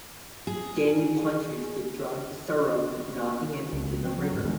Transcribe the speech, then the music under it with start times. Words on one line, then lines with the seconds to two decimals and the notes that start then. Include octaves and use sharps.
Danny punches the drugged Sarone, knocking him into the river.
0.47 G#4
3.73 C#2
4.04 F3 C4
4.16 F3 F#3
4.30 E2 G#2
4.44 E2 D#3 G#3 B3